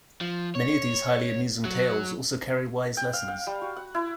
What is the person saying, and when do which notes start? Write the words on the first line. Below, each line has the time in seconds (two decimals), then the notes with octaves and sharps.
Many of these highly amusing tales also carry wise lessons.
0.21 F3
0.55 C#5
1.65 F#3
2.97 G5
3.13 F5
3.28 F5
3.47 G3
3.62 F#4
3.76 F#5
3.95 E4